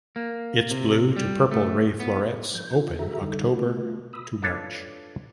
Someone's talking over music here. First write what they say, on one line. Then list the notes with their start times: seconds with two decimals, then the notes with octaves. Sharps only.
Its blue to purple ray florets open October–March.
0.16 A#3
0.71 C3
1.17 G3
1.51 A3
2.00 B3
2.55 F3 G6
2.76 F4 A4
2.99 F#4 G#4 A4 E5 A#5
3.21 D3 G3 D#4 A4
3.56 A3 F4
4.13 B5 D#6 E6
4.42 D4 F4 A4 B4 C#5